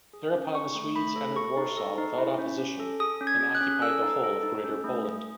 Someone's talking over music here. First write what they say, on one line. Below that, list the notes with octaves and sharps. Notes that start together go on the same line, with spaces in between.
Thereupon the Swedes entered Warsaw without opposition and occupied the whole of Greater Poland.
G#4
C#4
D#4 C#6
A3
A3 B5
A4
A4 C#6
D#4
A4
D#4
E4
C#4
C#4
A4
G#4 D#6
C#4
G#6
G#4
F#6
C#4
A4 E6
D#4
A4
D#4
C#4
A3
G#4